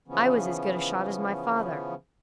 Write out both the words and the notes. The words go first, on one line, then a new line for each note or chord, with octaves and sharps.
"I was as good a shot as my father."
C#3 E3 F3 B3 C#4